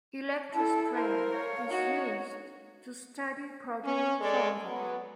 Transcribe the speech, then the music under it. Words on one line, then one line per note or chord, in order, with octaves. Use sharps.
Electrospray is used to study protein folding.
E4 A4 A5
E4 A#4 C5 F5
C#5
D#4 F#4
C#4
G#3 A4 D5
F#3 B3